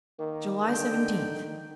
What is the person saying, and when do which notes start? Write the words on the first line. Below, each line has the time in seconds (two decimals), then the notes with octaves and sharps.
July Seventeenth.
0.19 D#3 A#3
0.67 D3 D#3 G5